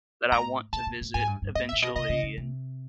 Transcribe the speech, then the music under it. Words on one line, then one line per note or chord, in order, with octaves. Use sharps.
that I want to visit eventually and,
A2 A#5
A#2 A5
A#2
A2
G#2 G#5
G2
G2
A2 D#5
E5
A#2
B2 D#5
C3 D#5
C#3
C#3
C3